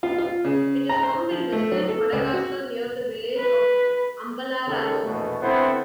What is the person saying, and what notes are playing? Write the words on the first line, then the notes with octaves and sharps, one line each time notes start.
It is found in Western Madagascar, near the village of Ambalarano.
F4
F4
C#3
A#5
C5
F3
A3
F#3
A4
C#2
F#4
B4
D#2 C#3 A4
A#1 E2 B2 A3
D3 B3 C4 E4 A4 C5